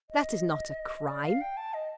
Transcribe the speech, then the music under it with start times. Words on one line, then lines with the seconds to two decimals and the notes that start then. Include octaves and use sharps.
That is not a crime.
0.10 D#5
0.97 D#5
1.08 D5
1.24 F5
1.41 G5
1.57 A5
1.74 D#5